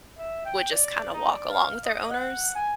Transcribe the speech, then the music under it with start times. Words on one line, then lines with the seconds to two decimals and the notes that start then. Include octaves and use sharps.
would just kind of walk along with their owners.
0.18 E5
0.45 G5
0.72 D5
1.14 D#4
1.32 D5
1.50 F5
1.85 D#5
2.11 F#5
2.55 G#5